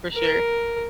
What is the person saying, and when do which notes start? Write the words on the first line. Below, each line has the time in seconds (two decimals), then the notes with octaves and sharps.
for sure.
0.14 A#4